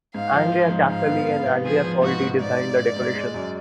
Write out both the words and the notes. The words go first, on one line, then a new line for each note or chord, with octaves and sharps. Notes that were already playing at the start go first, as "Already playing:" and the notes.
Andrea Casali and Andrea Soldi designed the decorations.
G#2 F5
F3
F3
G#2
G#2 F5
B3
B3
B3
F3 G#4
F3
G#2 F#4
G#2
G#2 D5
G#2
G#2
G#2
G#3
F#2